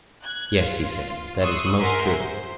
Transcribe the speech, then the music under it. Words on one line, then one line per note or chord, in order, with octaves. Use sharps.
Yes, he said, that is most true.
F#6 G#6
F4
C6 C#6 D#6 E6 F#6
A#4 E5 F#5 G#5 C6
C5